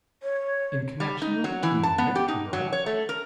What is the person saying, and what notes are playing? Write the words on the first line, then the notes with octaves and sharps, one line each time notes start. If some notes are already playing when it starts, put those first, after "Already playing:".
"In connection with the key unit?" Trigger asked.
C#5
G3
D#4
F#3
E3
A5
B3
G4
D#4
F#3
C#5
A3
A#4